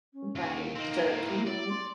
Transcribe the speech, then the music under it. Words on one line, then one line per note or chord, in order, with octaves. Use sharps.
Right, sure. Mhm.
C#4
D#2
A#3 C4 D#4
E4
D5
C6